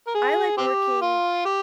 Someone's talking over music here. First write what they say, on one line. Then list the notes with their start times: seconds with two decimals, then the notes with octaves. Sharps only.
I like working
0.07 A#4
0.15 G#4
0.57 C4 G4
1.02 F4
1.45 G4